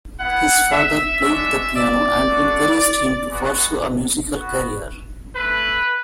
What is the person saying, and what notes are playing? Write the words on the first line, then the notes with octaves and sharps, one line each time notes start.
His father played the piano, and encouraged him to pursue a musical career.
B3 E4 F#5
E5
G#3 D4 F#4 E5
D5
A3 D4 F#4
G#3 B3 F#4
B3 F#4
A3 E4 B4